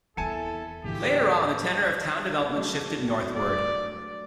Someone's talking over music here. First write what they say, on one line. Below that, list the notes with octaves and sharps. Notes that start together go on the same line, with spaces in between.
Later on, the tenor of town development shifted northward.
E2 D#3 C4 E4 A4 G#5 A5 C#7
D2 A2 E3 F3 E4 F4 G4
F#3 A3 D4
D5